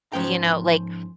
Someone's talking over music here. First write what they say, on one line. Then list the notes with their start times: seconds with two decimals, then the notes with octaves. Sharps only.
you know like,
0.12 G#2 F3 C#4 G5 A#5